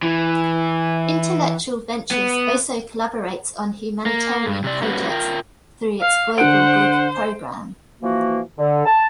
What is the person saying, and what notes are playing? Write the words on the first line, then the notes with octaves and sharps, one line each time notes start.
Intellectual Ventures also collaborates on humanitarian projects through its Global Good program.
E3
B3
A#3
G2
C3 D5
G3 A#3 C#4 F#4 G4 B4
F4 A#4 G5
F5
D3 C5 F#5 D7
E3 F3 A#3 F#4
D3
A5